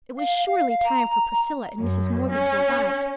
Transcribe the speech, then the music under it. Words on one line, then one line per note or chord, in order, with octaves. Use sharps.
It was surely time for Priscilla and Mrs. Morgan to arrive.
F5
A#5
F#2
C#4